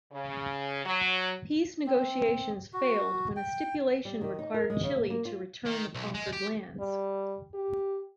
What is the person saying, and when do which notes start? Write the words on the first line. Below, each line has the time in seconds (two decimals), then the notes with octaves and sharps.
Peace negotiations failed when a stipulation required Chile to return the conquered lands.
0.12 C#3
0.85 F#3
1.87 C4
2.73 F#4
3.36 G5
4.05 G3
4.21 D#3
4.39 D#4
4.54 A#4
4.70 G#3
4.83 C#3
4.96 A#3
5.10 A#3
5.25 F4
5.66 D#3
5.95 B1
6.15 G#3
6.33 G4
6.80 G3
7.55 G4